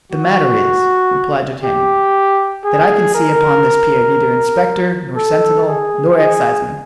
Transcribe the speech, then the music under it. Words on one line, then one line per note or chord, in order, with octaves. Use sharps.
"The matter is," replied D'Artagnan, "that I can see upon this pier neither inspector nor sentinel nor exciseman."
F#4
G4
G#4
A#4
A4
G#4
G#4